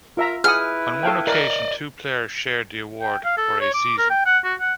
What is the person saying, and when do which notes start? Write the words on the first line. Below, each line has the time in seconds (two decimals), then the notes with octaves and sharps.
On one occasion two players shared the award for a season.
0.17 F4 A#4 E5 A#5
0.44 E4 G#4 B4 F#5 D#6 F6
1.03 A4 F5 G5
1.27 A#4 D5 D#5
3.02 G5
3.25 F5
3.37 A4
3.61 C#5
3.74 D6
3.98 A#4
4.10 G5
4.26 F#5
4.44 F#4
4.60 F#5